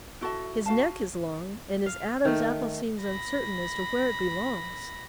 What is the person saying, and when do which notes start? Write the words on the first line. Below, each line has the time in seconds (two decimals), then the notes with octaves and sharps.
His neck is long and his Adam's apple seems uncertain as to where it belongs.
0.21 E4 F#4 A4 E5
0.66 F#4 F5 A5
1.86 F5
2.25 D#3 A3
3.02 B5 A#6